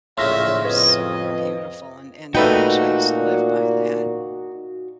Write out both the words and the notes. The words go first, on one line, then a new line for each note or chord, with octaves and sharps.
And they're so beautiful and and I actually, I used to live by that
A#1 A2 C#3 E5 C6 F6 A#6
F2 B4 D#5
A#2 A3 D#4 F#4 B4 G5